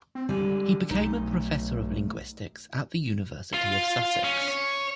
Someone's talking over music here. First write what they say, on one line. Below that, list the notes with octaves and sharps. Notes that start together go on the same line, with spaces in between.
He became a professor of linguistics at the University of Sussex.
C4
D3 G3 G#3 G#5
B1 A3 D#4
F4
C#4
C#5